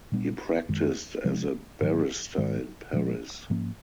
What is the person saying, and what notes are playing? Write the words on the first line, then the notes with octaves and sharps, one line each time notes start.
He practised as a barrister in Paris.
A#2 G3 B3 D4
F#2 D#3 G#3
C3 F3 G#3 C4
G#2 D#3 F#3 A#3
G#2 D#3 G#3
A#2 F3 G#3
G#2 F3 A#3 C#4